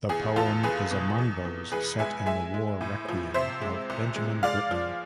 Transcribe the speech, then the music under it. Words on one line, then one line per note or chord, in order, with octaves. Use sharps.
The poem is among those set in the "War Requiem" of Benjamin Britten.
E2 G#4
E2 F4 A4
E2 G#4 B4
B2
E2
E2
E2 G#4 B4
G#3 E5 G#5
G#3 E5 G#5
G#3
A2
F3
C3 C5 E5
G#3
C2
G#3
G#3 D5 F5
F3